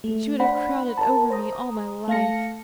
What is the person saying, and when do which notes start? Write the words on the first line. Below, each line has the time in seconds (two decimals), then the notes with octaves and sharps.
She would have crowed over me all my life.
0.04 A3
0.40 D4 C5 F#5 B5
0.97 A#4 A5
1.30 C5 A#5 D#6
2.08 A3 F5 A5 A#6 C#7